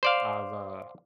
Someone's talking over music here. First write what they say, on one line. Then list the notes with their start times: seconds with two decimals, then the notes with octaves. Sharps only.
I've, uh
0.03 C5 D5 F5